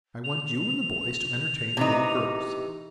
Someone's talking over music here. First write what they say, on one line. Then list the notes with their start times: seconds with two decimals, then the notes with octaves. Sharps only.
I want you and the boys to entertain the little girls.
0.24 F7
1.77 C3 E3 D#4